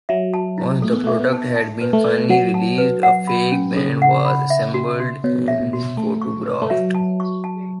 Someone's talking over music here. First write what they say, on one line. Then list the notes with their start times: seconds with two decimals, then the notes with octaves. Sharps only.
Once the product had been finally released, a fake band was assembled and photographed.
0.09 F#3 E5
0.34 A5
0.58 E4
0.82 A3 A4
0.93 B3
1.04 A3 E5
1.19 B3
1.32 A5
1.56 A5
1.81 B4
1.93 A3
2.05 B4
2.30 F#3 F#5
2.54 A5
2.78 B4
3.03 F#5
3.27 B5
3.52 C#4
3.76 C#3 A4
4.02 F#5
4.25 B5
4.50 E5
4.74 F#4
5.00 F#4
5.24 B2 C#5
5.48 E5
5.60 B2
5.73 F#4
5.97 A3 A5
6.22 C#6
6.46 B4
6.62 A3
6.70 F#3 E5
6.95 A5
7.20 C#6
7.44 A5